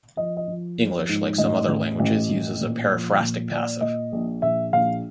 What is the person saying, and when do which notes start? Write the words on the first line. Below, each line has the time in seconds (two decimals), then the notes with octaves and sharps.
English, like some other languages, uses a periphrastic passive.
0.16 F3 D#5
0.37 D#5
0.47 F3
0.78 F3
1.09 G#2
1.38 A1 D#5
1.68 A1
1.99 A1
2.30 A1
2.60 A#2
2.90 F3
3.20 A#2
3.51 A#2 D5
3.81 A#2 D#5
4.12 A#1
4.42 A#1 E5
4.73 A#1 F5